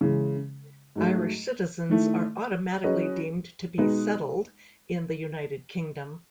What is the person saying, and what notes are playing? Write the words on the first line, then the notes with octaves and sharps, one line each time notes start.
Irish citizens are automatically deemed to be "settled" in the United Kingdom.
C#3 E3 G#3
G#2 F#3 A3
D#3 A3 E4
F#3 C#4 G#4 B4 D#5
B2 G#3 D#4 G#4 B4